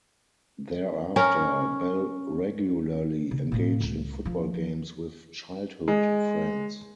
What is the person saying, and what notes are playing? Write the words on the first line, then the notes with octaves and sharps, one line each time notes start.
Thereafter, Bell regularly engaged in football games with childhood friends.
C#4 A#4
C#3
A2 A#3
C#2 D3
F3 D4
G#3